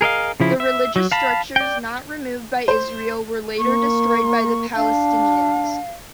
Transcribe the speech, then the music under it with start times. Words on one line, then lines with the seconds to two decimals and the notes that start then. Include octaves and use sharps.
The religious structures not removed by Israel were later destroyed by Palestinians.
0.01 G#4 A#4 D#5 F5
0.40 C#3 F3 E4
0.60 E5
0.96 F#3
1.12 F5 A5 B5
1.56 D5 G5
2.68 C5
3.59 A#3 C#6
4.75 D4 F5